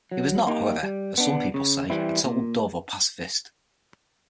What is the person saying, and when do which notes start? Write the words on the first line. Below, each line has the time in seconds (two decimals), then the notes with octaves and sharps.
He was not, however, as some people say, a total dove or pacifist.
0.12 F#3
0.47 A#3 D#4 G4
0.83 G3
1.18 B3 D4
1.54 C#3
1.90 E3 G3 C4 E4
2.25 A#2